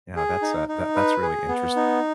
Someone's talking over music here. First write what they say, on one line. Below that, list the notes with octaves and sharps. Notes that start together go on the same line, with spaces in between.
yeah, that's uh, that that's really interesting.
G#4
D#4
D#4
B4
G#4
B3
D#4